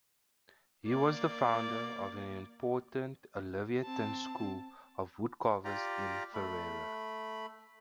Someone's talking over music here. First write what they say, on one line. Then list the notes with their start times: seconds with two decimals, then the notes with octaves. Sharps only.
He was the founder of an important Olivetan school of woodcarvers in Ferrara.
0.86 A#3 D5
3.84 C4 A5
5.65 F4 G4 D5 A#5
6.34 A3 B5